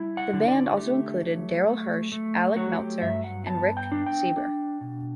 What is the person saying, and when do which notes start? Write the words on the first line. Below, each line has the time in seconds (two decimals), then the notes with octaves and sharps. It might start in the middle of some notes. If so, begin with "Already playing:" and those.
The band also included Daryl Hirsch, Alec Meltzer, and Rick Sieber.
Already playing: G3 E4
0.17 F#5
0.33 D3
0.48 D5
0.66 F#4
0.77 A3 G4
1.22 F#3
1.67 A3
2.12 A3
2.56 F#3 F#4
2.79 G4
3.01 G2 E5
3.24 F#5
3.46 B3 A5
3.77 G5
3.92 D4
4.06 G5
4.36 D4
4.81 B2